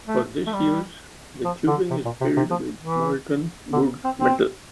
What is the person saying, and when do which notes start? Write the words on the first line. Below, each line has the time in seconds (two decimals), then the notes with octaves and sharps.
For this use the tubing is filled with molten Wood's metal.
0.07 A3
0.47 A3
0.53 G3
1.44 F3
1.67 D3
1.90 C3
2.05 A#2
2.21 C3
2.36 C3
2.51 F3
2.82 E3
3.73 D3
4.04 C4
4.19 C4